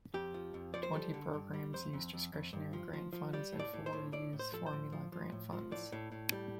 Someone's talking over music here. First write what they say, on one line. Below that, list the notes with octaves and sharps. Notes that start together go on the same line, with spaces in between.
Twenty programs use discretionary grant funds and four use formula grant funds.
F2 G4
F3
F2
F3 D5
C5
G3 A4
D3
G2
G3
F2 C5
F2
F2
F2
G2
F3
F3
F3
G3 D5
A2
D5
A2
C5
A2
A2 D5
A2
C5
F3 A4
C5
A2
F3
F3
A2
F3
A2 D5
A2
A2
G3